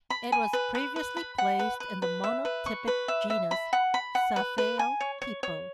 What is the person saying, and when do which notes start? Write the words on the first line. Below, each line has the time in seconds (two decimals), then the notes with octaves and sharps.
It was previously placed in the monotypic genus "Sapheopipo".
0.10 B5
0.32 G#5
0.53 B4
0.75 B4
0.96 B4
1.17 B5
1.38 F#5
1.59 B4
1.80 B4
2.02 B4
2.24 E5
2.45 B4
2.66 C#6
2.88 B4
3.08 E5
3.30 E5
3.51 B5
3.73 F#5
3.94 B5
4.15 F#5
4.36 B4
4.58 B4
4.79 G#5
5.01 C#5
5.22 C#5
5.43 C#5